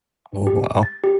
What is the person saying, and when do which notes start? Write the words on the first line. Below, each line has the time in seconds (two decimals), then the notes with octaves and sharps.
Oh wow.
0.47 G4
0.83 A6
1.04 G4